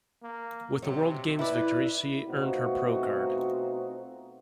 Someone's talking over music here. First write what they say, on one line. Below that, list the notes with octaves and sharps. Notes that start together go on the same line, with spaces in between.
With the World Games victory she earned her pro card.
A#3
C3 F#3
E4 B4 D5
B2 A3 C4 D#4 F4 F#4